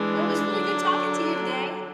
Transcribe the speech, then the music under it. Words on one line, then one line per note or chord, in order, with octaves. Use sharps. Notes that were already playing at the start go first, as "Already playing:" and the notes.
Well, it was really good talking to you today.
Already playing: E3 G#3 D4
D3 F#3